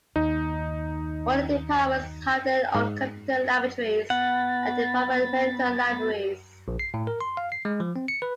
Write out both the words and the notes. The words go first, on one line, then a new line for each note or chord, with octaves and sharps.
All the departments have their own computer laboratories and departmental libraries.
D#2 D#4
G#2
B3 F#5 B5 A6
A#1
C7
A2
A#4
C6
F5
C7
G#3
F3
C4
C#7
B4